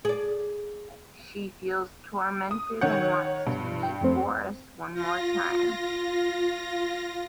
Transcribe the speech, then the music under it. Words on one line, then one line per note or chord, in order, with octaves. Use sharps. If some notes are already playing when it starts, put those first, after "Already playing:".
She feels tormented and wants to meet Boris one more time.
G#4 D5
D#6
D#3 C#5 F#5 G6
G2 B2
G5
F2 A3 C4
F4 A#6